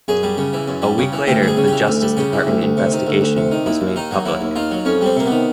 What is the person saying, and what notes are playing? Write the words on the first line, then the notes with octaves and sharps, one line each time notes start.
A week later the Justice Department investigation was made public.
F#2 G#4
G3
C#3
E3
F#2
G3
C#3
E3
D2 G4
G3
G#4
C#3
E3 G4
D2
G3
C#3 G4
E3
D2
D2
C3
D#3
D2
D2
C3
D#3
D#2 E4
D#2
D#3 D#4
F#3
D#2 E4
D#2
D#3 F4
F#3
F2 C#4
G3 C4
C3 A#3
D#3 B3